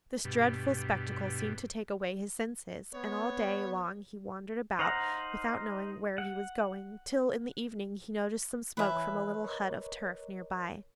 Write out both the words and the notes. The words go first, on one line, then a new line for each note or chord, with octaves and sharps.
This dreadful spectacle seemed to take away his senses, and all day long he wandered about, without knowing where he was going, till, in the evening, he noticed some smoke from a little hut of turf near by.
G2 B2
B3 C#5
D#4 C5 F5 F#5 A#5
F#5
E3 B4 C#5 E5 G#5
A#4 C#5 D#5